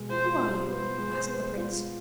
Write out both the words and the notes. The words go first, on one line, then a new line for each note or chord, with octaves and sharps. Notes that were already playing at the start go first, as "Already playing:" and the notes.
'Who are you?' asked the prince.
Already playing: B2 G#3
F4 C5
F4
B3 C5
G#3
B3
F4